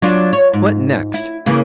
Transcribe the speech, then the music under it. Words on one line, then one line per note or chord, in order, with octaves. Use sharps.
What next!
F#3 D4 F4
C#5
G#2
E4
C#3 E3 A#3